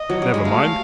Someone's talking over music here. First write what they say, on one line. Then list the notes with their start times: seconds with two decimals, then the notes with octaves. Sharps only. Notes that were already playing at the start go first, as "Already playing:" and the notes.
Never mind.
Already playing: D#5
0.10 F#3
0.22 G3
0.34 G#3
0.45 A3 F5